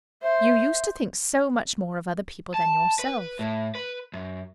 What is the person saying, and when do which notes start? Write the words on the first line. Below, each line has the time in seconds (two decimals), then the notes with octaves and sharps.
"You used to think so much more of other people than yourself."
0.22 C5 E5
2.54 A5
2.99 B4
3.39 A2
3.75 B4
4.13 F#2